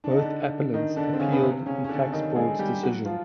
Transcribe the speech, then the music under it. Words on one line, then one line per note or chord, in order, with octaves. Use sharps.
Both appellants appealed the Tax Board's decision.
D4
D#4
D3 D4
D#3 D#4
D3 D4
C4
C#3 C#4
B3
C3 C4
C#3 C#4
C#4
D3 D4
D#3 D#4
A4
G#3 G#4
G3 G4
F#3 F#4
F3 F4